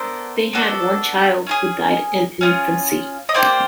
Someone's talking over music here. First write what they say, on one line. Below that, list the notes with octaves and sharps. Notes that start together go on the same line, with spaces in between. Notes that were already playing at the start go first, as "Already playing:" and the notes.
They had one child who died in infancy.
Already playing: B3 D4 A4 A#4 C5
B3 D4 F#4 A4
C#4 F4 G#4
C#4 F4 G#4
D#5
A#3 D#4 G4 C5 D5